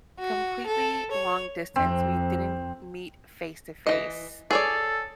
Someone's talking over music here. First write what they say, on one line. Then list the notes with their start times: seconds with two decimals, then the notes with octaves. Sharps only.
completely long distance. We didn't meet face to face,
0.18 F#4
0.66 A4
1.09 C#5
1.76 F2 C4
3.87 E3 F3 D#5
4.51 G#4 A4 C#5 D5